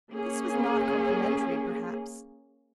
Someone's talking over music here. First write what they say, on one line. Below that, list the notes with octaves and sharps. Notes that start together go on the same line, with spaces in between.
This was not complimentary, perhaps.
A#3 C#4 G#4